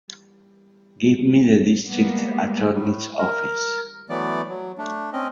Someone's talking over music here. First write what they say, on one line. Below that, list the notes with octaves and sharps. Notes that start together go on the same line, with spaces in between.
Give me the District Attorney's office.
G3 G#3 A#3 B3
A2
A#4
E3 F#3 A3 B3 D5
F#3
A3 D4
C4 C#4 D#5